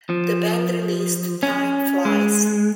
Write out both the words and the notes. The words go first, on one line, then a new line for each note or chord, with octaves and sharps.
The band released Time Flies...
F3
C#4
G#3